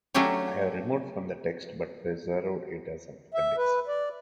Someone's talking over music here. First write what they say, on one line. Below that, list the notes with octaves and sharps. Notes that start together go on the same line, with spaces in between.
I have removed from the text but preserved it as an appendix.
F#3 A3 C#4 D4 G4 C#5
E5
B4
D5